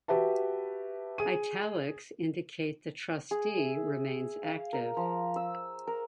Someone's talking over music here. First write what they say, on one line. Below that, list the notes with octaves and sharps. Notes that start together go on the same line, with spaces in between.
"Italics" indicate the trustee remains active.
F#4 G4 B4 E5 A5
G#4 D#7
G#4
E5
F5
A#4
F3
E6
A#4